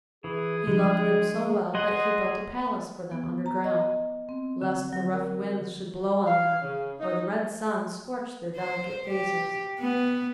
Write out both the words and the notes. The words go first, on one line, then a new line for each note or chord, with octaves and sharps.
He loved them so well that he built a palace for them underground, lest the rough winds should blow on them or the red sun scorch their delicate faces.
E3 G#4
D3 F3 G#3 D4
G#4 D#5 F#5 C6
B3
A#5
D#5
D#5
C4
D3
F#3
A#4
F5
C#3
D#4
C5
G4
B3